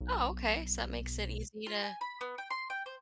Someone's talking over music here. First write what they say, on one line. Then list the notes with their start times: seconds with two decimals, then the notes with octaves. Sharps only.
Oh, okay. So, that makes it easy to
0.01 B1
1.66 F4
1.83 G#5
2.01 B5
2.21 B3
2.38 G5
2.50 C6
2.70 G5
2.86 C5